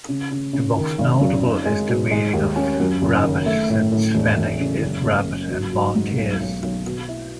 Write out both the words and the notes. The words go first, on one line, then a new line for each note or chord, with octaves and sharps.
The most notable is the meaning of "rabbit", since "fenek" is rabbit in Maltese.
C#3
C#3
C#3
D#3
G#1
F#2
D#4
G#3
B2
G#3
D#2
C#4
F#2
F#1
D#3
A3
A2
A2
E1
E1
C#3
F#1
F#1
F#1
F#3
F#3
G#2
B1
B1
B1
B2
E4